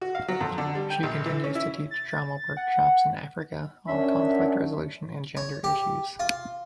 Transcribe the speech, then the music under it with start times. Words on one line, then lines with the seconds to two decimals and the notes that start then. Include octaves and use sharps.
She continues to teach drama workshops in Africa on conflict resolution and gender issues.
0.01 F#4
0.15 F5
0.28 F#3
0.41 F2
0.58 D3
0.75 G3
0.90 G5
1.03 A#1
1.26 E3
1.44 C#4
1.55 E4
1.91 A6
2.57 F#5
3.88 F#2 C#4 D4 E5
5.37 C#5
5.64 G4
6.20 F4